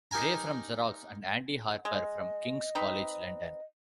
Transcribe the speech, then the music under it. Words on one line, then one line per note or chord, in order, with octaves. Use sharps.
Gray from Xerox, and Andy Harper from King's College London.
D#4 G4 A#4 G#5 A#5
G#3 D#5
C4 D#4 B4